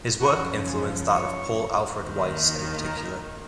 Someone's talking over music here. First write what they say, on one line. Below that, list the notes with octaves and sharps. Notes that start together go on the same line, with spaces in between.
His work influenced that of Paul Alfred Weiss in particular.
F#2 C#3 F3 F#4
G#4
C#5
D#2 D#3
A#4